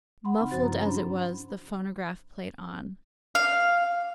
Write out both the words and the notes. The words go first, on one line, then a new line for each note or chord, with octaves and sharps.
Muffled as it was, the phonograph played on.
F#5 B5 C6
C#3 C4 D#4
G2 F3 F#4 C5 A6
E4 A#5
C#4 D4 E4 B5 C6
F5